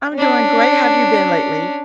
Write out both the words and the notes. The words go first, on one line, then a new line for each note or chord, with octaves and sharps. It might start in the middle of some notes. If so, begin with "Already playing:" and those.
I'm doing great. How've you been lately?
C#4 D4